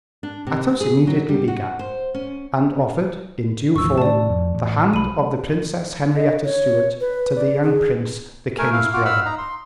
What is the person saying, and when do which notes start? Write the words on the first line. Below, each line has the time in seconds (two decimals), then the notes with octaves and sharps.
Athos immediately began and offered in due form the hand of the Princess Henrietta Stuart to the young prince, the king's brother.
0.23 D4
0.47 C3
0.81 G#4
1.07 F#3
1.29 G3
1.48 F#4
1.79 C5
2.14 C#4
3.76 G#1 D2 F3 C#6 E6
3.98 A2 D5 A5
4.30 F2
4.55 A1
4.93 C2 F#3 B5 D#7
6.16 D#5
6.45 C#5
7.00 B4
7.36 D5
7.62 G#4
8.58 A3 A#4 G#5
8.73 E4 F5
8.93 F4 F#4 F#5 D6 F6
9.05 F5 F#5 B5 E6 F6
9.25 D#4 A#5
9.38 C6